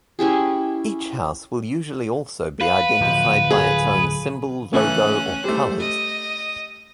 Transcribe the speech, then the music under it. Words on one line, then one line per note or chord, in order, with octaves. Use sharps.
Each house will usually also be identified by its own symbol, logo, or colours.
C#4 E4 G4 G#4
B4 F5
D1 F3
G#4
C#3 E3 A3 C#4 F#6
G3 A3 C5
D#5